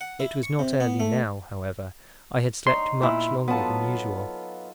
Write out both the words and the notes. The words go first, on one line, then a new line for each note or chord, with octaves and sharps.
It was not early now, however; I had slept much longer than usual.
F#5
E4
C#6
C3
B3
A3
D#4 C#5 C6
A#2 E4
F#3 B3 F4 A4 A5